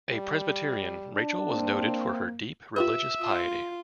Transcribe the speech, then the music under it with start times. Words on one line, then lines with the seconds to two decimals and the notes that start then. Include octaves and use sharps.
A Presbyterian, Rachel was noted for her deep religious piety.
0.11 G3
1.15 D4
1.50 A#3 C4
2.76 F4 G4 B4 E5
3.21 F4 D#6